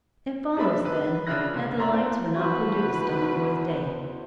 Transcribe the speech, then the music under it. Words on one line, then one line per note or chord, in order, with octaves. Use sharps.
It follows, then, that the lights were not produced on the fourth day.
F#2 G#3 D4 B4 E5 B5
B4 E5
C#3 D4 F4 E5 F#6 A#6
F1 F5
D5 E5 A#5 C6
C4 E4
E2 F#4 B4 C5